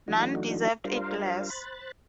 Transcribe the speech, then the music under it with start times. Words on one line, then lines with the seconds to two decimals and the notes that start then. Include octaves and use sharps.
None deserved it less.
0.08 E3 F#3 A3 D4 D#4 F#4
0.84 G3 D4 F4 A#4 C5 F5
1.50 C5 B5 F#6 A6